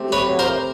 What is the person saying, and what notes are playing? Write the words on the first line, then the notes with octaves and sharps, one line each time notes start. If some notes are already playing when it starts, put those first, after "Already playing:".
you know,
Already playing: C3 A3
B4 C#5
A#4 C5